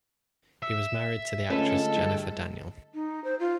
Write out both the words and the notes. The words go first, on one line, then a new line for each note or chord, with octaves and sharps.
He was married to the actress Jennifer Daniel.
E5
D3 G#3 A3 C#4 F4 A4 B4 D#5
G2 E4
D#4
C5
F4